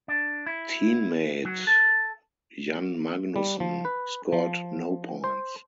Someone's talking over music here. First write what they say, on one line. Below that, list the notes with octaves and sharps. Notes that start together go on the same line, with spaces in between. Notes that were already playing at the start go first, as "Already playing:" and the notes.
Teammate Jan Magnussen scored no points.
D4
E4
F#3
A4
G3
F3
B4
F3
C5